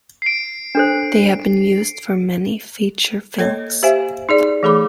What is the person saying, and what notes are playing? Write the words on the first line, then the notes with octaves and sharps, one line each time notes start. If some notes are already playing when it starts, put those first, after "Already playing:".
They have been used for many feature films.
C7 D7
D4 A4 C5
A#3 A4 C#5 D#5
G4 C5 E5 F5 G#5
D#4 G#4 D5
E3 A3 G#4 A4 B5 D6